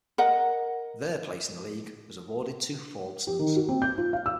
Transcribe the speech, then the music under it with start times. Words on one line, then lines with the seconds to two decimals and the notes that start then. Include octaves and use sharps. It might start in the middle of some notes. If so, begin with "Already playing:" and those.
Their place in the league was awarded to Fordsons.
0.18 A#4 D#5 F#5
3.27 G4
3.39 D#3
3.56 F#4
3.69 C4
3.82 G6
3.98 F4
4.13 F5
4.26 E6